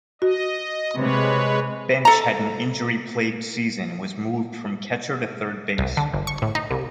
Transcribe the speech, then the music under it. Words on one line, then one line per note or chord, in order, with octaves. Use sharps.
Bench had an injury plagued season and was moved from catcher to third base.
F#4 D#5
C3 G#3 B4 C#5
A4 A#5
C2
D3
G1
C#6
A2
D#4
C2